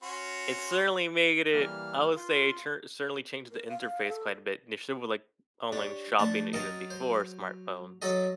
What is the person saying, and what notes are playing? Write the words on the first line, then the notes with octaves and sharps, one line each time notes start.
it certainly made it I would say, it tur certainly changed the interface quite a bit initially with, like, online shopping even before smartphones.
C#4 F#4 C6
E3 G3 A#3 F6
F4 C6
A#4
F5
A4
D4 G4 C#5
F3 A3 D4 A5
F#3 A#4 D#5 F5 A5
C5
F#3 A4 D#5